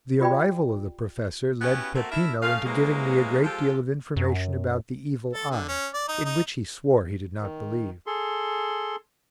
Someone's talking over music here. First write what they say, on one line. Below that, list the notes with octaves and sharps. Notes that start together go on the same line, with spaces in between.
The arrival of the professor led Peppino into giving me a great deal of information about the evil eye in which he swore he did not believe.
F4 G4 D5 G5 B5
B3 C#4 E4 F#4 G4 B4
A3 A#3 C4 F#4
D4 E4 A#4 E5
C#3 A3 C#4 F5
C3 E3 F#3 G#3 A#3
F3 G#3 F4 G4 A4
F#2
A4
D3
C#4
D5
D#4
D#4
D#3
G#4 A4 C6